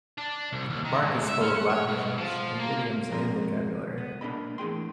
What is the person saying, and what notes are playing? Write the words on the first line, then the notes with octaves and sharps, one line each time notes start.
Mark is full of Latinisms, in idioms and vocabulary.
D4
C2
D#2
D#3
G#2
E5
C#4
F#5
C#5
B2
F3
A#3
F2 G#3 A#4 C6
B3
A#2 D4 A#4 D#5 B5
E2 A2 F4 G#4 G5 C6